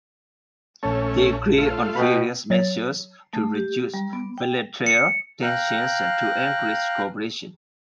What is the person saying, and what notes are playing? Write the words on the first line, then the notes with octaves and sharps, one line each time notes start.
They agreed on various measures to reduce bilateral tensions and to encourage cooperation.
A#1 A3 C#4 C#5 A5
A3 F4
B2 G5 B5
F#3 C#5 A6
A3
G4
G3
B3
G5
C#7
F5 G5 A#5 F#6